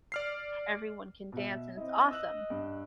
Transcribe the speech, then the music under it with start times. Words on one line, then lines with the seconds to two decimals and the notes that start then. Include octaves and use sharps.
everyone can dance, and it's awesome.
0.12 D5 F6 C7
1.32 B2 E5
1.77 C4 E4 D#5
2.11 E6 F#6 F#7
2.50 G2